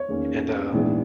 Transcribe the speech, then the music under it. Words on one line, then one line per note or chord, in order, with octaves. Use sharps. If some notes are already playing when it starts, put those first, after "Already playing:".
and, uh,
Already playing: C#5
E2 D#3 A#3 C#4
A#1 G#2 E3 B3